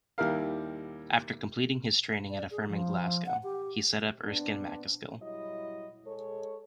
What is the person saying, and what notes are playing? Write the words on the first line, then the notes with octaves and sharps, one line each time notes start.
After completing his training at a firm in Glasgow, he set up Erskine MacAskill.
D#2 G3 E4 A#4 F5
D5
G#4
F3
F#5
G4
B3 C4 D4
F#3 G3 E4 D#5
G#3 G#4 A4 C#5